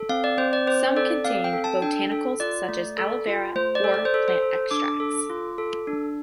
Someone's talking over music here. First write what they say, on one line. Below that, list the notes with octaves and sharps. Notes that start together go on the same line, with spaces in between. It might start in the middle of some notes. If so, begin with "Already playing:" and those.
Some contain botanicals such as aloe vera or plant extracts.
Already playing: A4
C4 F5
D5
C4 C5
D5
C4 C5
A4 D5
C4 F5
G5
A4
A5
D4 G5
A4
F4 D5
A3
A4
F4
A3 C5
D5
A4
D5
C5
A4
C5
A4
D4 D6
A4
F4
A4
D4